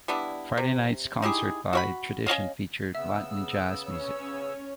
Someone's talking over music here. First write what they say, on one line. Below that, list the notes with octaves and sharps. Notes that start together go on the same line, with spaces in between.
Friday night's concert by tradition featured Latin jazz music.
G3 B3 D4 E4
C3
D#4 E4 G4 G#4
F#4 C#5 B5
C#4 F#4 D#5 F5
C#3 B3 E5 E6
C#4 C#5